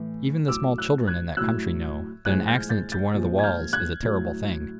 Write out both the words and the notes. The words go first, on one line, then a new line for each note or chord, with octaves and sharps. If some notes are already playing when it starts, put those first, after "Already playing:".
Even the small children in that country know that an accident to one of the walls is a terrible thing.
Already playing: A2 E3
A2 F#3 D6 E6
E6 F#6
F#6 G#6
A2 F#3 E6 F#6
A2 F3 G#3 F#6 G#6
F6 G6
G6 A6
G6 A6
A#2 F3 G#3
G#6
F6 G6
F#6 G#6
A2 F#3